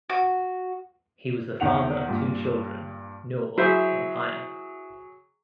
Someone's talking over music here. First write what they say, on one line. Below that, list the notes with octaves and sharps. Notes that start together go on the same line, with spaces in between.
He was the father of two children, Nour and Aya.
F#4
E2 D#3 F#5 F7
G2 A#2
F#3 E4 G#4 C5 E5